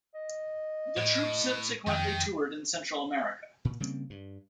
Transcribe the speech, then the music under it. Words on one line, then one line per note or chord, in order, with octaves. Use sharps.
The troupe subsequently toured in Central America.
D#5
A2
F2 D#3 G5
A#2
C#3 G3 A#3 C4
G2